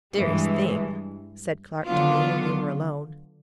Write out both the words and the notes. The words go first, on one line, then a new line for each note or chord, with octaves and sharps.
'Mysterious thing,' said Clark to me, when we were alone.
G2 E3 G#3
D3 F#3 B3 D4 F4